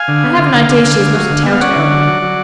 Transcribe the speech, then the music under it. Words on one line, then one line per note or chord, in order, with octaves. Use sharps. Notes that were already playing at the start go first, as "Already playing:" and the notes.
I have an idea she is not a telltale.
Already playing: F5 G#5
D3
B3
D3
D3
D3
D3
D3
F#3
D3
B3
F5
C#4 D5 F#5
D3
F#3
F#3
F#3